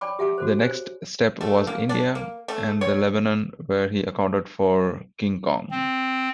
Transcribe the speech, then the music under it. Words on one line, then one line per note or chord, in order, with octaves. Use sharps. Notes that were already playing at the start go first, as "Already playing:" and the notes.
The next step was India, and then Lebanon where he accounted for King Kong.
C#5 D5 G5 A5 B5 D6
G4 E5 F#5 G#5 A5 D6
F#4 A4 C5
C5 C#5 G#5
A3
A#3
D4
A#3
A3
C#5
C4